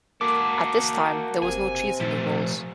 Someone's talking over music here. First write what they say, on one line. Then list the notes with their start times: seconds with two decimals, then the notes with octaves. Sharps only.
At this time, there was no cheese in the rolls.
0.21 A#3 F#4 A4 D6
1.42 F#1 C3 G#5
2.00 A#2 F3 A3